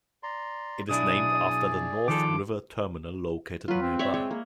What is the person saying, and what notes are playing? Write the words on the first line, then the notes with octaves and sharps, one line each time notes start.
It is named after the North River Terminal located nearby.
D5 A#5 C6
B1 D4 E4 G#4 D5 D#6
D#3 F3 A4 D6
F#3 F4 B4
C4
C#5 D5 E5
G#3 C#5
A#3